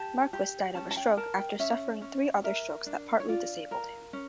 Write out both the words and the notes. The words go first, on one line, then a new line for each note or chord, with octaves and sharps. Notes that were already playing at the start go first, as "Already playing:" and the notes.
Marquis died of a stroke after suffering three other strokes that partly disabled him.
Already playing: G4 A5
G4
C#4 A5
A5
G5
A#4 A5
G5
C#4 E5
C#4
A#4 E5
D4
C#5
F4 D5
A#4
C#4